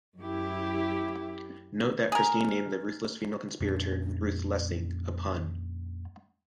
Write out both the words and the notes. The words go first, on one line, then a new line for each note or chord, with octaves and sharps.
Note that Christie named the ruthless female conspirator "Ruth Lessing", a pun.
F#2 E4 G4
G#4 A#4
F2 A#2 C#4 D4